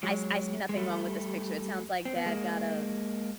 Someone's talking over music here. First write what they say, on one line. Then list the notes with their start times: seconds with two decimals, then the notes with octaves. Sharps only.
I s I see nothing wrong with this picture. It sounds like dad got a
0.03 F#3 G#3
0.69 G#3
0.77 G3 A3
2.05 C4
2.16 B3
2.26 G#3 A#3